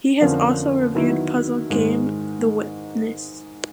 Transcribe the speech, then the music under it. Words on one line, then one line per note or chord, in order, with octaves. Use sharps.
He has also reviewed puzzle game "The Witness".
F2 D3 F3 A#3 C#4
D#3 F#3 B3 E4
G#2 D#3 G#3